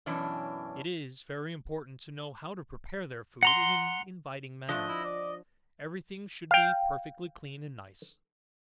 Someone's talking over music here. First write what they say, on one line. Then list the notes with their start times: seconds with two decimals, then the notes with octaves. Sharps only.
It is very important to know how to prepare their food in an inviting manner; every thing should be perfectly clean and nice.
0.06 F#2 B2 E3 C#4 D4
3.43 F#5 A#5 C6
4.69 F3 A3 D4 D#5
4.88 E4
5.04 D5
6.51 F5 G5